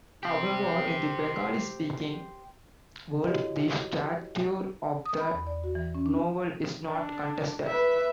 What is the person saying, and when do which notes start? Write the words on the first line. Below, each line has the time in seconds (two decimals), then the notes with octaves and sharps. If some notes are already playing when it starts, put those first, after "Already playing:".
However, in the Bengali-speaking world, the stature of the novel is not contested.
0.23 G4 C5
3.26 E4 F#4 G4 C#5 D#5
5.06 D#6
5.20 B5
5.33 E2
5.47 D5
5.64 F#4
5.75 E3
5.95 C#4
6.06 D4
6.86 D4
7.66 B4 E5